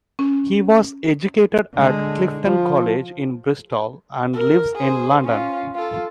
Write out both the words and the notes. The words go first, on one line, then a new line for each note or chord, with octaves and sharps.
He was educated at Clifton College in Bristol and lives in London.
C#4
D3 G#3
F3
A#4
G#4 C5
C#4 F4
F4 A4